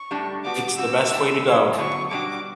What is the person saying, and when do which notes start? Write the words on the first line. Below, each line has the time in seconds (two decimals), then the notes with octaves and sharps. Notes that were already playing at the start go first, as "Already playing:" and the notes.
It's the best way to go.
Already playing: C#6
0.11 A2 G3 D4
0.44 G3 B3 F#4 D6
0.78 C#3 G3 C#4 F#4 E6
1.11 G3 D4 G4
1.45 C#3 F#3 C#4 E4
1.78 D3 F#3 B3 E4 C#6
2.11 B2 G3 D4 F#4 D6